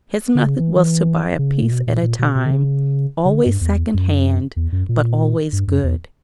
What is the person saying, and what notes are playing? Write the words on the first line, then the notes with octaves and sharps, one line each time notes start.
His method was to buy a piece at a time, always second-hand, but always good.
D3
C#3
E3
E3
C#3
A#2
B2
A#2
A#2
B2
B2
D3
C#3
C#3
D3
G2
E2
F#2
E2
F#2
A#2
G2
F#2
E2